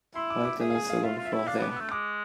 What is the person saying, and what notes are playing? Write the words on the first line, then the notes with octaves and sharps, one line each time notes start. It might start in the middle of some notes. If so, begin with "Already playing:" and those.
Right on the second floor there.
E4 C6
D6
D6
G#4 E5
F5
G#5
F5
F4 E5
F4
E5
E4
D4 F5
B3
D6
B3
A3 E6
G#3 D6